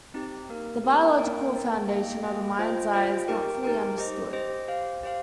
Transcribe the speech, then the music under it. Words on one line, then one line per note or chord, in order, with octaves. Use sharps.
The biological foundation of the mind's eye is not fully understood.
C4 D#4 G4
A#3 G4 A#4
A#3 G4 A#4
A#3 D#4 A#4 G5
A#3 D#4 A#4 G5
A#3 G4 D#5 G5
A#3 G4 D#5 G5
F4 C5 D#5 G5
F4 C5 D#5 G5
D#4 G4 A#4 G5
D#4 G4 A#4 G5
G4 C5 D#5
G4 C5 D#5
G4 C5 F5
G4 C5 F5